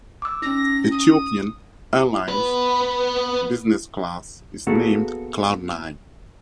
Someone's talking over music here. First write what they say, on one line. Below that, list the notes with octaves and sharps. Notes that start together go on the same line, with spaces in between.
Ethiopian Airlines' Business Class is named "Cloud Nine".
D6 E6
C#4 D#4 A#6
D#6
B3 B4
A#3 B3 F#4 G#4 A4